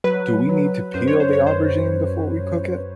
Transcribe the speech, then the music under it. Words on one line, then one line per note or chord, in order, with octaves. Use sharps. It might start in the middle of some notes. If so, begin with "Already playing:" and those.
Do we need to peel the aubergine before we cook it?
F#3 B4
F#3
F#2 C5
C#5
C5
C#5
F#2
C5